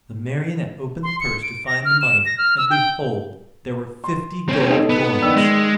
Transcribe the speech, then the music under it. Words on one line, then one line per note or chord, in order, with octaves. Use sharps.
The Marionette opened the purse to find the money, and behold--there were fifty gold coins!
C6
C#7
D7
A#6
F6
E7
A#6
F6
E6
G5
C6
C4 C#4
D#4 A4
B3
D#3 D5 E6
G#3